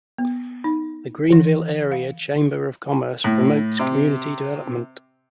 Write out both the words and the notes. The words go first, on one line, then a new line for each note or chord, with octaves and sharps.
The Greenville Area Chamber of Commerce promotes community development.
B3
D#4
E3
F5
A2
C3